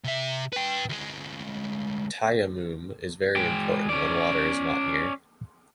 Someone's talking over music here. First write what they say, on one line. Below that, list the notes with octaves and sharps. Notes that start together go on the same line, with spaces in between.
Tayammum is very important when water is not near.
C3 E5
B4 G5
D2 G#3
G#3 G5
C#4 D5